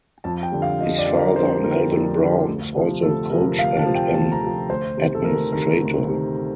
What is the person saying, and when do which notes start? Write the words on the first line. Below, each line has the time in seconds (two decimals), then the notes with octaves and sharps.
His father, Melvin Brown, was also a coach and an administrator.
0.24 F2 A5
0.43 G5
0.52 D3 G3
0.62 F5
0.81 F2 D#5
0.98 D5
1.09 D3 G3
1.17 A#4
1.36 F2 C5
1.64 D3 G3 A#4
1.91 F2
2.19 D3 G3
2.46 D2
2.74 C3 F3
3.02 D2 A4
3.30 C3 F3 A#4
3.58 D2 F5
3.77 A5
3.85 C3 F3
3.95 G5
4.14 D2 A5
4.32 A#5
4.42 C3 F3
4.69 D2 C5
4.97 C3 D#3
5.15 A4
5.24 D2 A#4
5.52 C3 D#3 A#4
5.81 D2
6.08 C3 D#3